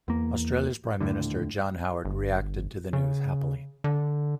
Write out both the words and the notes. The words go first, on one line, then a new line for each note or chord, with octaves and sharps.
Australia's Prime Minister John Howard reacted to the news happily.
E2 A#3
D#1 G#1 A2 D3
G1
C#3
D3